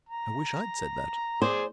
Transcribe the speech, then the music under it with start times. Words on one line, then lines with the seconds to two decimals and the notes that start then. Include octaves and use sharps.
"I wish I'd said that."
0.09 A#5
1.42 G#4 C5 D5